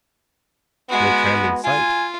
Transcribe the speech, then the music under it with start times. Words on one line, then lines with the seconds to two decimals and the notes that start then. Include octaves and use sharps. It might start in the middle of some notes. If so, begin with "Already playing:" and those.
No tram in sight.
0.90 G#3 B3 F#4
1.64 F4 G#5